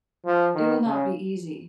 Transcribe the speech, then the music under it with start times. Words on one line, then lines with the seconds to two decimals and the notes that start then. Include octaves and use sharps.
It will not be easy.
0.25 F3
0.55 D#3
0.85 C#3